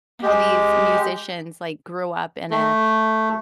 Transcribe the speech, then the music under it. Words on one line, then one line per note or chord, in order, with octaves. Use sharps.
how these musicians, like, grew up in a,
G#3 G4
A3